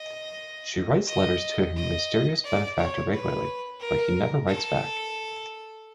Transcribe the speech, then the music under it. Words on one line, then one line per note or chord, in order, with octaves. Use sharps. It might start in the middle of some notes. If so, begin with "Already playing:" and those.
She writes letters to her mysterious benefactor regularly, but he never writes back.
Already playing: D#5
D#5
D#5
D5
C#5
B4
A#4
A4